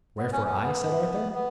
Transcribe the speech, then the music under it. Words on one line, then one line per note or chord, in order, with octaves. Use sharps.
"Wherefore I?" said Arthur.
B3
C#4
C#4
B3
B3